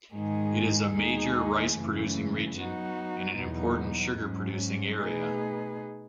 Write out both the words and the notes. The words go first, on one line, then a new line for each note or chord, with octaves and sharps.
It is a major rice-producing region and an important sugar-producing area.
G#2 D#3 G#3 D#4 G#4
D#2 D#3 G#3 D#4 G#4
F#2 C#3 E3 A3
F#3 B3 D#4 F#4
E2 B2 F#3 B3 D#4
G#2 F#3 C#4
B2 A3 D#4 G#4 B4